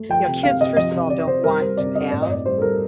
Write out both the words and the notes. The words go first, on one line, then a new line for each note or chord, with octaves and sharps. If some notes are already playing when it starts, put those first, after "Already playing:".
You know, kids, first of all, don't want to have
Already playing: A3
F3 G5
C3
C3 F5
C3 D#5
F3 D#5
C3
C3 D5
C3 C5
G3 A#4
G3 C5
C3 D5
C3 D#5
A2 D5
D#5
A2 D5
G3 C5
A4
G3 A#4